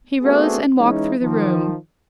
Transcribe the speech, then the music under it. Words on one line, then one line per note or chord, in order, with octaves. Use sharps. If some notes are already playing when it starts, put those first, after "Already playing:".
He rose and walked through the room.
A3 B3 C4 D4 F#4 G#4
E3 G#3 C#4 D#4
D#3 F3 D#4